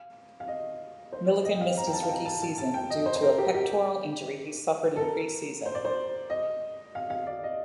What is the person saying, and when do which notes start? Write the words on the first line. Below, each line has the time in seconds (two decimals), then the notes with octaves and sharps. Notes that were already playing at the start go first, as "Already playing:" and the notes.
Milligan missed his rookie season due to a pectoral injury he suffered in pre-season.
Already playing: F5
0.40 F5
0.48 D#5
1.12 C5
1.28 D5
1.45 D#5
1.56 G5
1.61 F5
1.77 A#5
1.87 G5
1.93 A5
2.03 F5
2.09 G5
2.25 A5
2.42 A5
2.58 A5
2.74 G5
2.90 D#5
3.06 C5
3.16 C5
3.22 A#4
3.38 G4
3.54 G4
4.96 A4
5.00 A#4
5.66 C5
5.75 D5
5.85 C5
6.30 D#5
6.95 F5
7.10 F5
7.27 D5
7.43 D#5